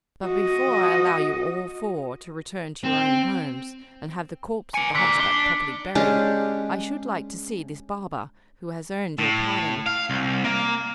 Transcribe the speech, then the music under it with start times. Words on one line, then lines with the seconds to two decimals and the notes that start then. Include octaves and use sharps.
But before I allow you all four to return to your own homes, and have the corpse of the hunchback properly buried, I should like to see this barber who has earned your pardon.
0.25 F#4 D#5
2.84 C4
4.74 A#3 G#5 C#7 D7
4.95 D3 A#3 B6 C#7
5.20 D4 G7
5.95 G#3 C#4 D4 G4
9.19 A2
9.86 F5
10.10 C2
10.44 A#3